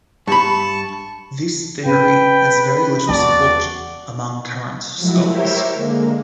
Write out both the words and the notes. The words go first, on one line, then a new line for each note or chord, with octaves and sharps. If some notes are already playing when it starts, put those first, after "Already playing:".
This theory has very little support among current scholars.
G2 A5 B5 C#6
C#3 B4 G5 D#7
E2 F#4 D5 A5
F3 F#3 G#3 A3 E4 F#4
E4 G4 A#4 C5 C#5 E5
D3 G#3 A#3